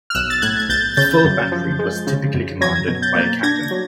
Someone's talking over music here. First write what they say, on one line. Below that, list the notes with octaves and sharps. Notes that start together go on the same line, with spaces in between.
The full battery was typically commanded by a captain.
F6
B1 E6 F#6
A6
A2 F#6 G#6
G#6
B1 G6 A6
C#3 G6 A6
F#2
F3
G#3
C#3
F#2
F#3 G#6 A#6
B2
G6 A6
A#3
D4 G#6 A#6
F#3